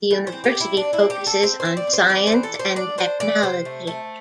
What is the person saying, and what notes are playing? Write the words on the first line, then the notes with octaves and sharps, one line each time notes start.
The University focuses on science and technology.
E3
C5
C4
G4
C4
E4
C4 D4
E4
C4
G4
C4
A4
C4 C5
C5
C4
D5
C4
C5
E3 D5
C5
E3
A4
D4
C5
D4 D5
D4 C5
E3 D5
C3 C5
A3
A3